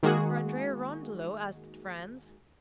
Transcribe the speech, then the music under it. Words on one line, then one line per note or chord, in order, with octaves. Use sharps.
"For Andrea Rondolo?" asked Franz.
D#3 G#3 A#3 F#4 G#4